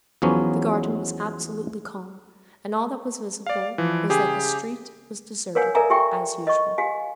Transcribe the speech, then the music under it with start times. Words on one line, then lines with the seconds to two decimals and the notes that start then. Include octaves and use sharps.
The garden was absolutely calm, and all that was visible was that the street was deserted as usual.
0.22 E2 F3 F#3 B3 C#4
3.46 D5 F5
3.78 E3 F3
4.09 C#3 G4 G#4
5.55 A#4 B4 C#5 F5 F#5 G#5
5.75 A4 A#4 D5 E5 G#5 A#5
5.90 G4 A4 E5 G5 C#6
6.47 D#5 C#6
6.78 G4 F5 G#5